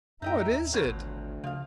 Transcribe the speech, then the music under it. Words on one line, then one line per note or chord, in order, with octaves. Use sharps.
"What is it?"
F#2 A2 D#4 D#5 E5 G5 A#5
D#2
B2 F3 F#3 A#4 C#5
G#1 D2
C#3 F3 F5